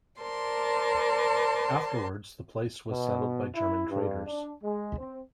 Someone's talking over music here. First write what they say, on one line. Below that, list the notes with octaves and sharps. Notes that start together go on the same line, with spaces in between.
Afterwards the place was settled by German traders.
A#4 C5 D5 A5 C6
B2
E4
G2
D4
G#3
C4